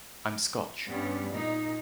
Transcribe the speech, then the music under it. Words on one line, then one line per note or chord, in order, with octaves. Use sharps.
I'm Scotch.
G2 G3 B3 C#4
A#2 D#4